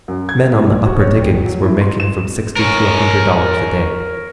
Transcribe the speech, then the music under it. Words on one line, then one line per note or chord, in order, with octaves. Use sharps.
Men on the upper diggings were making from sixty to a hundred dollars a day.
F#2
G#6
A2
A#1
F#4
C#5
D1
F#3
E4
C6
E7
A#4 C#5